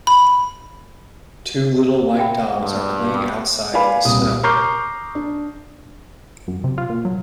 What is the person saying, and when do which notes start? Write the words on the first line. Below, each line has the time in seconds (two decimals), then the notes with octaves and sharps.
Two little white dogs are playing outside in the snow.
0.07 B5
2.18 E5 G5 B5
2.60 G2
3.74 B4 D5 F5 G#5 B5
4.05 D#1 C2 D#6
4.43 A#5 C#6 D6 F6 G6 C7
5.15 D4
6.48 F#2
6.64 C3
6.78 F4
6.90 A#2
7.05 F#3